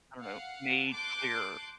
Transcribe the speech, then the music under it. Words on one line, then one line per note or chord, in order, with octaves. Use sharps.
I don't know, made clear
F5 F#5
A5 C6 D6 F#6 G6